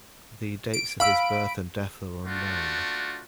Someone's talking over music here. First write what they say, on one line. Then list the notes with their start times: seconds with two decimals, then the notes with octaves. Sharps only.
The dates of his birth and death are unknown.
0.74 D7
1.00 F5 B5 E6 D7
2.25 A3 D4 F4 F#4